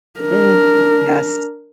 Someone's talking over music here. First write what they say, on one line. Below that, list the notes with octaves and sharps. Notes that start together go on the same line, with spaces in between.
Mm. Yes.
D4 A#4